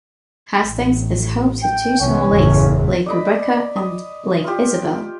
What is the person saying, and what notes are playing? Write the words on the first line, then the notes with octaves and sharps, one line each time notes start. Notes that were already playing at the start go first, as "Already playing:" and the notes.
Hastings is home to two small lakes, Lake Rebecca and Lake Isabel.
A1
G5
C2 E3 B3 C#4
F#1 E2 A2
D5 D#5 B5
D#6
F4 G4